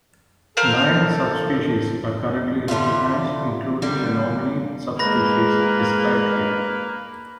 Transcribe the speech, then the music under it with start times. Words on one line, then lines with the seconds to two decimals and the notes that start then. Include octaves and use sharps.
Nine subspecies are currently recognized, including the nominate subspecies described here.
0.57 A4 A#4 C5 F5
2.68 D3 G3 E4 F4
3.82 D3 G3 A#3
4.99 G#3 A#3 G#4 A#4 B4 B5 A#6